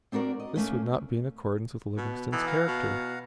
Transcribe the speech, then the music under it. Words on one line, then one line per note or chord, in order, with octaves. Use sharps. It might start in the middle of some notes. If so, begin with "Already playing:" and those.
This would not be in accordance with Livingstone's character.
C4 D4 F#4 A#4 D5
D#5
A3 A#3 C#4
B2
E3 B3 D#4 A4
F5 F#5 A#5
B2